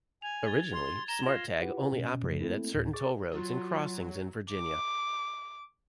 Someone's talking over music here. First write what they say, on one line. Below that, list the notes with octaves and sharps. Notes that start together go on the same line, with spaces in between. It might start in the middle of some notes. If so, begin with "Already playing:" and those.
Originally, Smart Tag only operated at certain toll roads and crossings in Virginia.
G#5 F7
G#6 A6 G7
C6
A#5 E7 G7
F4 A#6
E4 F4 G4 B4 F#5
B2 C#4
F#2 C#3 F3 A3
A3 A#3 C4 E4 A4
D2 A2
G#4 C#6 D6 A6
F#3 F4
D6